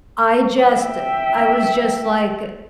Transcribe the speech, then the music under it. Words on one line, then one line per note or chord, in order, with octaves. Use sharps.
I just I was just, like, eh,
E5 G5